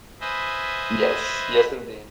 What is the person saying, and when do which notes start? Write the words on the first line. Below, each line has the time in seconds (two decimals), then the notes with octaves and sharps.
Yes, yes, indeed.
0.20 B4 C5 D#5 E5 G#5